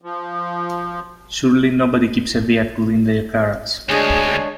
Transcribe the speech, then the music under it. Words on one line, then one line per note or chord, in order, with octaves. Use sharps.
Surely nobody keeps a vehicle in their garage?
F3
D2 G#3 D4 G#4 C#5 G#5